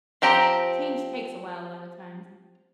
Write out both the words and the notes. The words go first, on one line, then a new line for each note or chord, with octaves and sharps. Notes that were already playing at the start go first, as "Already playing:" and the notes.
change takes a while, a lot of times.
F3 C4 G4 A#5